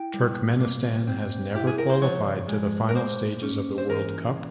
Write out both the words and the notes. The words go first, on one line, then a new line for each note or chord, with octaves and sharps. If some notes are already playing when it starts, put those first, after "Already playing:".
Turkmenistan have never qualified to the final stages of the World Cup.
Already playing: E4 G5
G3
A#3
C4
E4 G4
G#4
A#4
C5
F3 C#5
G#3
A#4
A#3 C5
C#4
C5
E3 A#4